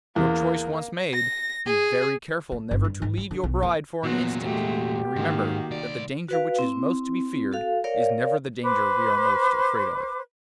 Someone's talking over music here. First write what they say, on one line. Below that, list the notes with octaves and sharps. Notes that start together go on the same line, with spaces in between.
Your choice once made, be very careful never to leave your bride for an instant, and remember that the danger which is most to be feared is never the danger we are most afraid of.'
E2 A#3
A#6
G#4
A3
G1
G2
G#2
E4
D3
B1
A#3
E2 A#2 F#3 B3 F#4
G#3 A3 F#4 G4
G#2 D#3 A#3
C2 D5
F#4 B4 F5
C4 E4
F#4 A4 F5
A#4 C#5 D5 F5
B4 C5 D6